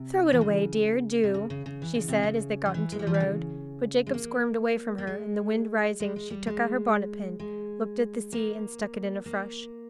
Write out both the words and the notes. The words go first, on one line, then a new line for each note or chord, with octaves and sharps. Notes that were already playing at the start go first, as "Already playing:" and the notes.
"Throw it away, dear, do," she said, as they got into the road; but Jacob squirmed away from her; and the wind rising, she took out her bonnet-pin, looked at the sea, and stuck it in afresh.
Already playing: C3
E3
C#3
C3
C#3
C#3
C#3
E3
C#3
C3
C#3
F3
E3
G#3
G3
F3
E3
C#3
G#3
A#3
A#3
G#3
G#3
G#3
G3
G#3
G#3
A#3
A#3